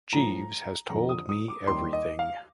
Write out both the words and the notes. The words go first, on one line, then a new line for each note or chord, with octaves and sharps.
Jeeves has told me everything.
A2 F3 A#5
F2 D3 F3 A#5
D#6
D#6
D6
D#2 D#3 G3 C6
D#5
F5